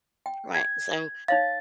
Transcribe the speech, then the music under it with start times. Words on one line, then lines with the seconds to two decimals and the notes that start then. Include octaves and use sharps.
Right, so,
0.26 G5
0.54 G#6
1.28 D#4 C#5 F5 A6